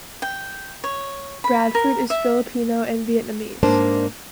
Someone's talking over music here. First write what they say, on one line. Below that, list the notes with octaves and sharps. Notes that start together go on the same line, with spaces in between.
Bradford is Filipino and Vietnamese.
G5
C#5
B5
A#4
E5
G#2 A#3 D4 C5 A5